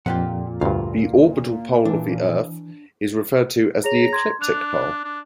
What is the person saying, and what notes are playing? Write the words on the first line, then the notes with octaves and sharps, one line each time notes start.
The orbital pole of the earth is referred to as the Ecliptic pole.
F2 A#2 F4 G4 F#5
D2 G2 F4
E3 D4
G#4 C#5 A#5 F7
C6 G#6
D4 F#6 F7
D4